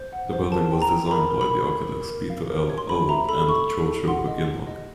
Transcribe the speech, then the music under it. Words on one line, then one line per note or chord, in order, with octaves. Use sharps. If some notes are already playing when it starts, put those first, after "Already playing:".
The building was designed by the architects Peter L. Allward and George Roper Gouinlock.
Already playing: C5
F#5
C5
A#4 A5
G5
A#5
G5
A#5
A#4 B5
A#4
B5
A#4
C#5
A#4
A#4
F5
A#4
C#5
C6
C5 B5
E5 A#5
A4 B5
A4 C#6
A4
A4
F#5 C6
D#5
G4
D#5